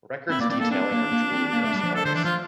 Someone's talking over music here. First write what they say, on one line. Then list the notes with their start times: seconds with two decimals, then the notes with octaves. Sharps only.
Records detailing her jewellery are sparse.
0.30 C4 E4
0.40 A#3 D5
0.50 C4 D5
0.60 A#3 A4
0.71 C4 D4
0.92 A#3
1.12 A#3
1.33 C4
1.53 A#3
1.64 A3
1.74 G3
1.84 F3
1.94 A4
2.05 D3 C5
2.14 E3 D4
2.24 F3 F4